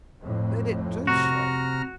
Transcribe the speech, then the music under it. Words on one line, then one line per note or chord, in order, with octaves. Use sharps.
"Let it do so."
F2 A2
C3 F#4 A#5 F6